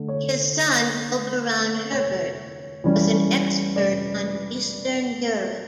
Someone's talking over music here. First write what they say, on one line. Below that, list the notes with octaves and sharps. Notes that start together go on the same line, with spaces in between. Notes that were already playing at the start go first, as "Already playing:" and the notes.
His son Auberon Herbert was an expert on Eastern Europe.
Already playing: D3 A3
C#5
C#5
E3 G3 C#4
D5